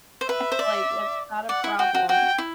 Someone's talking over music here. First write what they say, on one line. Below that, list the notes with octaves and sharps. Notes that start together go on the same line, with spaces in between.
I'm like, "That's not a problem."
C5
B4 E5
C5
D5
D5 F#5
E4
F#4 G5
F#4
F#4 G5
E4